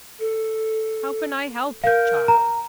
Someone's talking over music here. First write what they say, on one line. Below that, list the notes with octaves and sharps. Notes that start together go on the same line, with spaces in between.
How can I help it, child?
A4
A#4 F5 G6
A#5